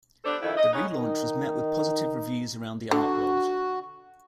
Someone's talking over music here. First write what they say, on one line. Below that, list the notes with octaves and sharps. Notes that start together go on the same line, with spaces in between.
The relaunch was met with positive reviews around the art world.
B3 D4 G4 A4 C5
F2 D#3 E4
D#5
B3 C#4 D#4
D#3 D#4
D3 F#4